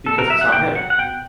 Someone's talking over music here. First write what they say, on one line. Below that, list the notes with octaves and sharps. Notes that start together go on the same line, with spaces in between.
Because it's not him.
A#2 A4
A#4
F#3 E5
F#5
A#2 G5
F#3 F#5
F#5
B2 G5